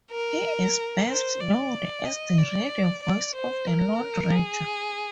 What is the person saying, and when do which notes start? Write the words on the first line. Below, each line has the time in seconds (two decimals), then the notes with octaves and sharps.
He is best known as the radio voice of the Lone Ranger.
0.11 A#4
1.08 C5
1.41 D5
2.05 D#5
2.38 D5
3.03 D5
3.35 C5
3.67 A#4
4.32 G#4